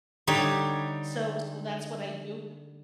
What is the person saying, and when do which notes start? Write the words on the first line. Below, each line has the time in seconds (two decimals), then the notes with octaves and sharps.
so so that's what I do,
0.27 D3 G3 D#4 G4 C#5